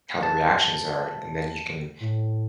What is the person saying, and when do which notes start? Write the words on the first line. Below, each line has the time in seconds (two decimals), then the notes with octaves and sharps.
how the reactions are. And then you can
0.23 A5
2.00 A2